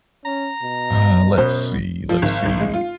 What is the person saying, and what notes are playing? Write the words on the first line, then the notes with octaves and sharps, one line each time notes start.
Uh, let's see, let's see.
C#4 A#5
B2
F#2 B2 B3 C5
F3
G#1
G#1
G#3
F4